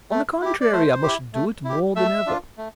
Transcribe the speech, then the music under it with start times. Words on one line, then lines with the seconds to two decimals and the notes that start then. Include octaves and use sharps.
On the contrary, I must do it more than ever.
0.11 A3
0.42 E4 G4
0.61 D5
0.72 A3 C5
1.03 E4 G4
1.34 A3
1.65 E4 G4
1.96 A3 E5
2.26 D4 F4
2.58 A3